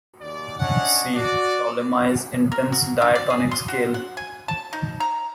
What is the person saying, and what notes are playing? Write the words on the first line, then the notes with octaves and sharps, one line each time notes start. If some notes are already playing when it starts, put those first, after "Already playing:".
See: Ptolemy's intense diatonic scale.
D#2 D5
C#4 D4 C#5 D#5 F#5
F#4 D5
A#4
F#4
D4
D5
G#4
C6
F#4
F#5
G#5
A5
D#4
A#5